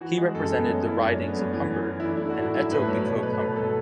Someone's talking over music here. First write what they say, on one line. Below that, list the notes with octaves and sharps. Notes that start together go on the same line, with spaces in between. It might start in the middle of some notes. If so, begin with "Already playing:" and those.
He represented the ridings of Humber and Etobicoke-Humber.
E3 F#4
G#3 G#4
F#2 A4
G#3 B3
F#2 C#4
F#2 E4
F#2 D4
C#4
A3
B3
F#2 C#4
E3
E3
E3
E4
A3 D4
E4
A3
F#4
A2 E4
F#3 E4
A2 B4
F#3 C#5
B2 C#5
A3 B4
B2 B4
F#3 A4